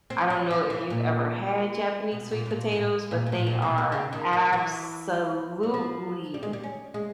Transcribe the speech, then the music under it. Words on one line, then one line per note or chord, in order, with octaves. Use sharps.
I don't know if you've ever had Japanese sweet potatoes, but they are absolutely
C4
F#3
F3
E3
A#2
B2
A#2
A2
A#2
A2
A#2
A#2
A2
A#2
B2
B2
C#3
D#3
D#3
E3
F#3
F3
G3
G#3
G3
C#4
G#3